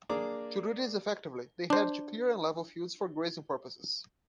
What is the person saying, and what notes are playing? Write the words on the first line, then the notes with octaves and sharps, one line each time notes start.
To do this effectively, they had to clear and level fields for grazing purposes.
A#3 D4 G#4 D5 A#5 D6
D4 C5